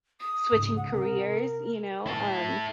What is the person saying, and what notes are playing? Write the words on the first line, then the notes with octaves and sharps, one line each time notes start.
switching careers, you know, um,
D#6
G#2 C#3
F#5
C3 A#4
E4 A4